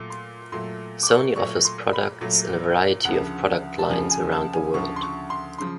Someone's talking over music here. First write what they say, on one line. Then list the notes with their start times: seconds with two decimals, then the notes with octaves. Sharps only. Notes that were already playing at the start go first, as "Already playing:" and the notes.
Sony offers products in a variety of product lines around the world.
Already playing: A#2 F#3 A3
0.10 C6
0.52 A#2 F#3 A3 C6
1.03 D6
1.09 C#6
1.36 A#2 F#3 A3 C#6
1.65 C6
1.93 B5
2.21 A#2 F#3 A3
3.05 D2 C#3 F3 F#5
3.79 A5
3.90 D2 C#3 F3 G#5
4.11 G#5
4.32 A5
4.53 G#5
4.74 D2 C#3 F3 C#6
4.96 C6
5.02 C#6
5.30 C6
5.58 C#3 F3 C6